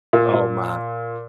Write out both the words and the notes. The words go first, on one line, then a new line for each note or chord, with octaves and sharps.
Oh my.
A#2
A#2